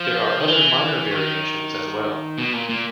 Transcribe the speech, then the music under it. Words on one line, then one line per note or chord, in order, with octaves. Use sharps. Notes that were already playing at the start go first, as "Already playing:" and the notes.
There are other minor variations as well.
Already playing: F3
D#3
E3
D#3
B2
A#2
A#2